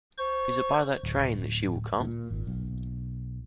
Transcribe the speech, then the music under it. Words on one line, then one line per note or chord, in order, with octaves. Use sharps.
Is it by that train that she will come?
C5 C#6
D1
A#2
G#1
B1